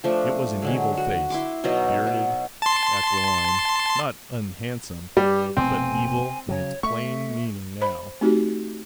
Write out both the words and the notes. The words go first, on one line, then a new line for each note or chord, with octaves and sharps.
It was an evil face, bearded, aquiline, not unhandsome; but evil in its plain meaning now.
F3 A3 D4
D3 F#3 G#3
F#4
E4 C6 D6
B2 F#3 D#4 D#5
F#3
A5 C6
G2 G3 G4
F1 B2 A3 C4 G#5
C#3 F#3 C#5
A3 E5 C#6
C5 B5
A3 C4 D#4 F#4 G4